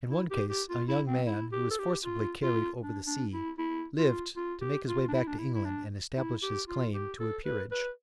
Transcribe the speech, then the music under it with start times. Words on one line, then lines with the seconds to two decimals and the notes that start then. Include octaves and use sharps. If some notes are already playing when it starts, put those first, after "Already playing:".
In one case a young man who was forcibly carried over the sea lived to make his way back to England and establish his claim to a peerage.
0.10 E4
0.31 G4
0.49 G4
0.69 F4
0.88 E4
1.07 C4
1.27 E4
1.52 G4
1.70 A4
1.79 G4
2.05 F4
2.43 F4
2.82 D4
3.06 D4
3.33 E4
3.58 E4
3.98 F4
4.36 F4
4.61 G4
4.88 F4
5.08 D4
5.14 E4
5.27 D4
5.39 E4
5.55 E4
5.65 D4
6.17 E4
6.43 G4
6.68 F4
6.94 G4
7.19 A4
7.45 B4
7.71 B4